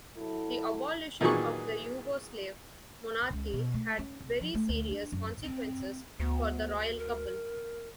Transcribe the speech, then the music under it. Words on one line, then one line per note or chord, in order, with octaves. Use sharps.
The abolition of the Yugoslav monarchy had very serious consequences for the royal couple.
F#3 E4 A4
A#2 D#3 E3 F#3 G#4 C#6
C#2
B2
A3
C#4
C2
F3
A3
D2
D4
F#2
C4
D2 B3
A#4